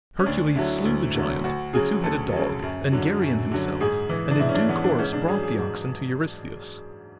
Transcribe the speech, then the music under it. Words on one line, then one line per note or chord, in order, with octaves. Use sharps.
Hercules slew the giant, the two-headed dog and Geryon himself, and in due course brought the oxen to Eurystheus.
C#4
D2 D4
D3 F#3 E4
D2
D3 F#3
D2 F#4
C#3 F#3 G#4
D2 A4
C#3 F#3
F#2
D3 F#3
F#2
D3 F#3
G#2 G#4
E3
D4
G#2 E4
C#4
D4
E3 B3
D4
G#2 C#4
D4
F#3 G#4
G#4
G#2